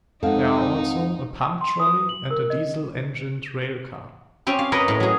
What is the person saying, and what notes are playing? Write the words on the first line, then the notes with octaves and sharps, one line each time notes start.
There are also a pump trolley and a diesel-engined railcar.
F2 G#3 C4 D#4 A4 F5 F#5
C6
D#6
F#7
A#4
D#5
C4 C#4 G4
F5
A#4 B4 C#5 D#5 B5
A2
F#3 G#4